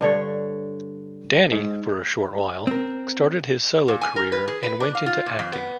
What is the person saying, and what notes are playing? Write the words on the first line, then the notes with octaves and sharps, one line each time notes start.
Danny, for a short while, started his solo career and went into acting.
G2 D3 C#5
G#2
C4 A#4
A#2
G#5
A#4
B4
G#4
B4
D4
F5
F4
A#2
F2
B3